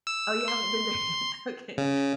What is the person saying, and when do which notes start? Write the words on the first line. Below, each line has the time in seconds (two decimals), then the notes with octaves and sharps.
Oh, you haven't been there yet? Okay,
0.07 E6
0.48 C6
1.78 C#3